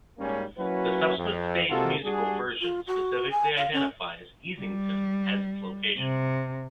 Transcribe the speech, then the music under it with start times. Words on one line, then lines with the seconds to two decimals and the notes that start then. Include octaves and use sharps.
The subsequent stage musical version specifically identifies Easington as its location.
0.19 G#2 G3 G#3 A#3 C#4
0.58 F#3 A#3 C#4 E4 F#4 B4
1.17 F2
1.70 C3 G#3 A#3 F4 F#4 A4
2.04 G3 D4 F#4 G#4
2.60 F4
2.87 F#4
3.31 G#5
3.57 F5
3.73 C#4
4.60 G3
5.99 C3